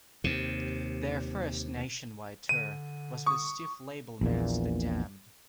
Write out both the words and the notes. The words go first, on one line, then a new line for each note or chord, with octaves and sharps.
Their first nationwide tour was with Stiff labelmates the Damned.
D#2 C3
D3 D#7
C#6 D#6
A#1 E2 A#2